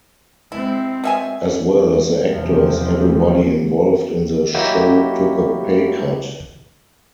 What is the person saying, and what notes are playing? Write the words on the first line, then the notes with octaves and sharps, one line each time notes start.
As well as the actors, everybody involved in the show took a pay cut.
G#3 C4 E4
B2 E5 G#5
E2 C3 F3 A#3 C4
F#3 A#3 D#4 E4 F#4 G4